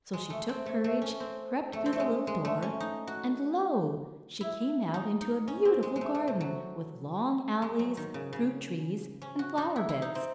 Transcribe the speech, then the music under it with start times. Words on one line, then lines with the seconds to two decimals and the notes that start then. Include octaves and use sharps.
So she took courage, crept through the little door, and lo! she came out into a beautiful garden, with long alleys, fruit-trees, and flower-beds.
0.13 G#3
0.30 A3
0.49 C4
0.66 A3
0.84 A3
1.02 C#4
1.20 C4
1.73 A3
1.86 C4
1.93 A3
2.00 G#3
2.27 G#3
2.45 A3
2.62 C#4
2.80 D#4
3.07 F#4
4.41 E4
4.94 D#4
5.21 D#4
5.48 C#4
5.65 C4
5.83 G#3
5.96 G#3
6.01 A3
6.15 A3
6.28 C3
6.41 F#3
7.62 G#3
7.79 F#3
7.97 D#3
8.14 C#3
8.33 C#3
9.22 C#4
9.39 F#4
9.58 D#4
9.76 E4
9.89 E4
10.02 D#4
10.15 C4